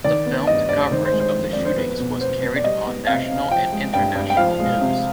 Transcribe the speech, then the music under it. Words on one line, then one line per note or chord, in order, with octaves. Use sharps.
The filmed coverage of the shootings was carried on national and international news.
D#3 D5
B3
G2 D#5
G2 D5
D5
D#3 C5
C5
G#3
C5
F2
F2 D5
C5
B3 B4
B2
B3 C5
B2
D5
G3 D#5
B3
C3 F5
C3
F3 G5
G#3
G2 G5
G2
G5
F3 F5
G#3
C3